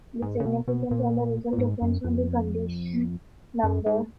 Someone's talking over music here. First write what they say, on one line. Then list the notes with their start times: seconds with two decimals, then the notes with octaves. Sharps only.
The significance of the result depends on the condition number.
0.22 G#2
0.40 C#3
0.45 B2
0.68 B2
0.91 A#2
1.53 A#2
1.58 G#2
1.82 F#2
2.04 F2
3.64 F#2
3.86 G#2